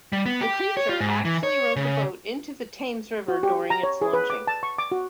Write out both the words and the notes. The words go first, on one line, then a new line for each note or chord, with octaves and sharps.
The creature actually rode the boat into the Thames river during its launching.
G3
B3
G4
C#5
F4
G#2
E3
C#5
C#3
F#4
G4
A#5
C#5
G#4
B4
D6
A5
C#6
D6
F#4